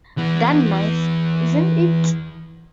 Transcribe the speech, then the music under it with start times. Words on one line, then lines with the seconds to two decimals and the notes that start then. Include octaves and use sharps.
Darn nice, isn't it!
0.18 E3 B3